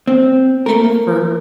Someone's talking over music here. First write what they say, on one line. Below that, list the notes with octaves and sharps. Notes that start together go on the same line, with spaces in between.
in the fruits,
C4
A#4